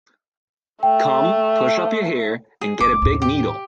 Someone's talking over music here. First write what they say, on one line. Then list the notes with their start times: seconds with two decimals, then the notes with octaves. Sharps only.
Come, push up your hair and get a big needle.
0.83 A3 G5
2.61 G#4
2.80 F#1 D6
3.02 D#2 A2
3.22 G4